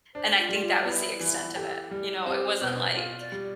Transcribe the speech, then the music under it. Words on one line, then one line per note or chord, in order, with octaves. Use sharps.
And I think that was the extent of it. You know? It wasn't like,
D4 C5
F4
G3
F4
B3 E4 F4
E3 E4
G4 A4
G3
C4 G4
B2 B4
F4
D5
G3